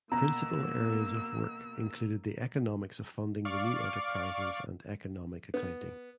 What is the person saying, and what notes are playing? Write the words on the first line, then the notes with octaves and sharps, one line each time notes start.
Principal areas of work included the Economics of Funding new enterprises and Economic Accounting.
B2 A#3 A#5 E6
D5 F5 C#6 D6
B3